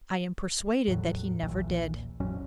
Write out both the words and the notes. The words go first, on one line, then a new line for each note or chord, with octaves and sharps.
"I am persuaded that he never did."
E2 A2 F#3
A#1 D#2 A#2 E3
A1 F2 F#3 C#4